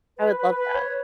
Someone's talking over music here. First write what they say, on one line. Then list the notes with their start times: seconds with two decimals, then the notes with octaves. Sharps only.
I would love that.
0.18 B4
0.37 B4
0.55 B4
0.75 C#5